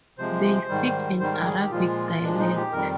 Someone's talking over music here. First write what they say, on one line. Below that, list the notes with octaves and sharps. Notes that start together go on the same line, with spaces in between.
They speak an Arabic dialect.
C3 F3 G#3 C5
G#2 D#3 G3
G#2 D#3 G3 C5
A#4
G#4
G4
A#2 F3 G#3 F4
A#2 F3 G#3 D4
D#4
G4
F2 D#3 G3 A#4